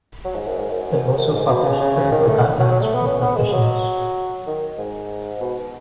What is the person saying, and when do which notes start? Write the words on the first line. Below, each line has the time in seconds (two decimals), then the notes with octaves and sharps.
They also publish clinical guidelines for practitioners.
0.24 F#3
0.35 G#2
0.47 F#2
0.59 G#2
0.70 F#2
1.18 F#2
1.34 G#2
1.49 B2
1.64 C#3
1.80 C#3
1.96 C#3
2.12 D#3
2.27 A3
2.59 F#3
2.71 F#3
2.82 A3
2.95 B3
3.06 C#4
3.22 B3
3.37 G#3
3.53 F#3
4.47 D#3
4.78 G#2
5.40 B2